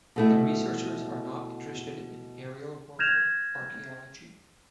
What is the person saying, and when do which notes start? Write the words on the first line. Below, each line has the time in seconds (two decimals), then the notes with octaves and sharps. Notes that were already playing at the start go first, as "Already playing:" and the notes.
The researchers are not interested in aerial warfare archeology.
0.16 B2 A3 E4
2.99 F6 G6 G#6 A#6 E7 F7